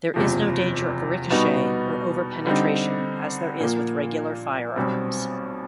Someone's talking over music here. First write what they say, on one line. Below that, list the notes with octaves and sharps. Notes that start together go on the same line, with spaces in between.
There is no danger of ricochet or over-penetration as there is with regular firearms.
F#1 E2 C3 F3
B2 G3 B3 D#4 F#4
D3 G3 C4 D#4
A#2 F3 A#3
B1 B2 G3 C4